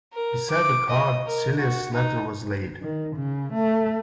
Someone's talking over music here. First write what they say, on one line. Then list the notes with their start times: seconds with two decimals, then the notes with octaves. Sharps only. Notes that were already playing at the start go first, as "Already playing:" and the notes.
Beside the card Celia's letter was laid.
0.13 A#4
0.51 D6
0.90 D#5
1.26 A#4
1.59 F#4
1.94 D#4
2.82 D#3
3.16 C#3
3.54 A3